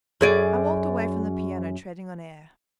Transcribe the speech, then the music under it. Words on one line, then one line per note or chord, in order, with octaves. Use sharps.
I walked away from the piano treading on air.
F#2 G#4 D5